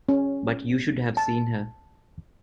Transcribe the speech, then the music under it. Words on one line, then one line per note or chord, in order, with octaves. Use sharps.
But you should have seen her!
C#4
A5